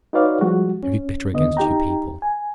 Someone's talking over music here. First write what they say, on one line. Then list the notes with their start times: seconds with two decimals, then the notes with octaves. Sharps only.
He's very bitter against you people.
0.13 D#4 F#4 B4 C#5 D5 F5
0.41 F3 G3 G#3 F#4
0.83 C#4
1.34 D#2 D3 B3 D#5
1.57 D#4 G4 G5 A#5
2.22 G#5